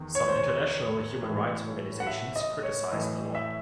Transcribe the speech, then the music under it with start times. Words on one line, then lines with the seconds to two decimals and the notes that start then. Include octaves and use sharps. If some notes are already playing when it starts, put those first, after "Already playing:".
Some international human rights' organisations criticised the law.
Already playing: E2 D#3
0.15 C#5
0.28 C5
0.36 C#5
1.22 A2 E3
2.00 F#5
2.07 E5
2.36 D#5
2.63 C#5
2.92 A2 E3 D#5
3.35 E5